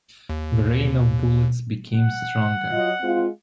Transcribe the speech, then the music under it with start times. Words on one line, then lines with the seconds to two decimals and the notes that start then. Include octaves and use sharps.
The rain of bullets became stronger.
0.29 D#2
1.92 F#5
2.72 F#3 F4 D#5
3.02 G#3 C4 F4